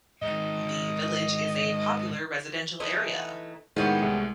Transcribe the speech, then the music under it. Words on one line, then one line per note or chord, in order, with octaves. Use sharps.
The village is a popular residential area.
G#2 D#3 D#5
E3 A3 D#4
A2 D#3 G#3 B3 C#4 G4
C2 G#3 A3